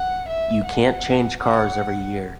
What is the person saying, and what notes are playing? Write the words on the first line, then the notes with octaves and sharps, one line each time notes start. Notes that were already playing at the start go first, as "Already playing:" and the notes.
You can’t change cars every year.
Already playing: F#5
E5
F#5
F#5